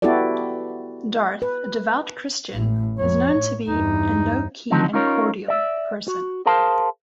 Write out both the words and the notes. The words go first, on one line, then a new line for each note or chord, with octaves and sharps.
Dearth, a devout Christian, is known to be a "low-key and cordial" person.
B3 E4 F#4 G4 A4 D5
B4
A1 A2
F2 C#5
A2
E2 G2 D#4
D3 D#3 F3 F#3 C4 D#4
C#4 D#4 F4 A#4 C#5
D5 E5
F#4
G#4 A#4 C5 F5 A5